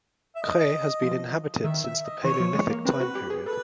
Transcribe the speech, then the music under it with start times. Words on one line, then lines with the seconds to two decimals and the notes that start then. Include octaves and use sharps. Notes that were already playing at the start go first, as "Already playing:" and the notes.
Cres has been inhabited since the Paleolithic time period.
0.36 E5
0.42 D#5
1.02 F3
1.64 D#3 E5
1.84 E5
2.04 D#5
2.24 E3 C#5
2.40 F3
2.55 G#3
2.70 A#3
2.85 C4 B4
3.00 F#4
3.15 G4
3.30 G#4
3.46 A4 B4